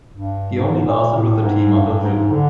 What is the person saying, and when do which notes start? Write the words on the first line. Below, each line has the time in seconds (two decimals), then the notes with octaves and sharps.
He only lasted with the team until June.
0.14 G2
0.58 G#2
0.87 A#2
1.16 A2
1.44 G#2
1.74 G2
2.03 G#2
2.31 D3